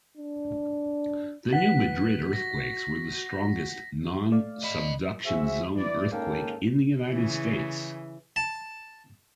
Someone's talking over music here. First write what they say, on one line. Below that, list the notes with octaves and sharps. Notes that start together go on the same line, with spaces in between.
The New Madrid earthquakes were the strongest non-subduction zone earthquake in the United States.
D4
B4 F#5 B6
F#4 A#6
A3 D5 F5
D#5 B5
F#4 G#4 C5 E5
E3 D5
G#2 A#3 C#4 A4 F5 G5
C#3 E3
A5